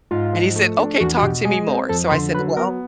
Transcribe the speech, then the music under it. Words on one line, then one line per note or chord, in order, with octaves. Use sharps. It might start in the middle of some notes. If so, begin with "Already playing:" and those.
and he said, "Okay, talk to me more," so I said, "Well,"
G#2 F4
F3
A3
D4
E2 F#4
F#4
B2 G4
G#3 G#4
C4
F2 A4
B4
D3 C5
F#3 B4
B3 A#4